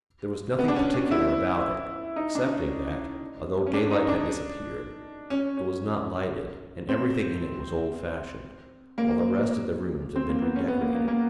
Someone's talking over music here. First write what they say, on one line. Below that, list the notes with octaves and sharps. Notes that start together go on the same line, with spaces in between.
There was nothing particular about it, excepting that, although daylight had disappeared, it was not lighted, and everything in it was old-fashioned, while the rest of the rooms had been redecorated.
B3
D4
C#4
D4
E4
D#4
D4
C#4
C#4
D4
D#4
D4
C#4
C#4
C4
A#3
C4
A#3
B3
C#4
B3
A#3
A#3
A#3